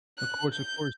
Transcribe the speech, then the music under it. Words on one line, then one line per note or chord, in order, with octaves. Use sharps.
Of course, of course.
F#6
G6